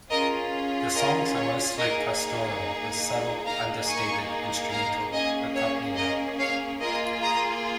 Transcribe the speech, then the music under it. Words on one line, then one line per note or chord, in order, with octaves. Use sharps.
The songs are mostly pastoral, with subtle understated instrumental accompaniment.
C#4 F4 G#4 A#4 D#5
A#4 D#5
C#5
A#3 D#4 G#4 A#4 D#5
A#3 D#4 G#4 F5 A#5
G#5 C#6
F5 A#5
A#3 C#4 G#4 D#5 G#5
C#5
A#4 D#5
C#5 F5
A#3 F4 G#4 A#4 D#5
A#5 D#6